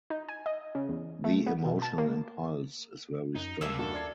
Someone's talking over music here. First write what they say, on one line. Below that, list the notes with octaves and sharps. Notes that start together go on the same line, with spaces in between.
The emotional impulse is very strong.
D#4
G#5
D#5
C#3
E2
A3
B3
B2
A5
A#3
F#2 D#4
D#2 G3 A#3 D4 E5 E6
F#1 G2 F#4 A4
D5 G#6 C7